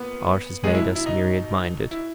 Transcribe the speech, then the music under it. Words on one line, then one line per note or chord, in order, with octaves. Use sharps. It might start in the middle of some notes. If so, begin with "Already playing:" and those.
Art has made us myriad-minded.
Already playing: A#2 B3 B4
B2 F#3 G#3 G#4
E4
E4
D#4
E4